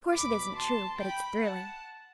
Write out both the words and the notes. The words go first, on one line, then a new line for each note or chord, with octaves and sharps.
"Of course it isn't true, but it's thrilling."
E2 B2 B5 D6
A5 C6
G5 B5
F#5 A5